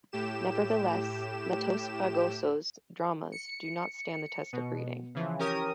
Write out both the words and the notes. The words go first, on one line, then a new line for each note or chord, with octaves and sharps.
Nevertheless, Matos Fragoso's dramas do not stand the test of reading.
A2 G4 E7
C#7
B2
C#3 E3 F3
C#4 G4 A#4 D#6